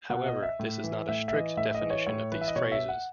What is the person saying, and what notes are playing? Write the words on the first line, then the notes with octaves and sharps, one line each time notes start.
However, this is not a strict definition of these phrases.
B2 F#5
D#5
E5
A2
E3
A2 E5
E5
E3 D#5
A2 E5
D#5
E3
C#5
A2 C#5
E3 B4
E5
D#5
B2 C#5
E5
F#5